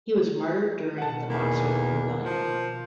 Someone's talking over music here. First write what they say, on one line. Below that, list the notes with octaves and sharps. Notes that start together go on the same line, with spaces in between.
He was martyred during the Boxer Rebellion.
B2 D#3 F#5 A5
E2 A#3
F3